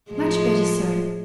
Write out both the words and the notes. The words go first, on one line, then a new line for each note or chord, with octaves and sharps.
'Much better so.
A2 F3 G#3